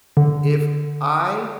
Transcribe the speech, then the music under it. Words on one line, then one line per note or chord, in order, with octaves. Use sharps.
If I
D3